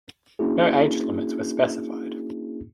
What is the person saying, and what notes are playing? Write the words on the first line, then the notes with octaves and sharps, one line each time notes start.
No age limits were specified.
A#3 C#4 D4 E4 F#4 G#4